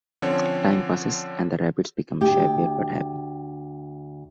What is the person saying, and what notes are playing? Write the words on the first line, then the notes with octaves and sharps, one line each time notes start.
Time passes, and the rabbit becomes shabbier but happy.
D3 F3 C4 C#4 C#5
D2 G4